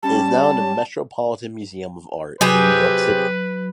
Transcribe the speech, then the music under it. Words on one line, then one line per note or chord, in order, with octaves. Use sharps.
It is now in the Metropolitan Museum of Art in New York City.
G3 C#4 A5
C3 F#3 G4 G#4 B4